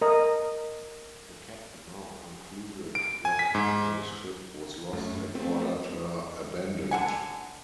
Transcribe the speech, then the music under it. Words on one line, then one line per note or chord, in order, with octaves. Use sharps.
The captain now concluded that the ship was lost and ordered her abandoned.
A#4 D#5
D7
G#5
B6
G#2
F#2 A3
A3 B3 C4
D3 F#5 G#5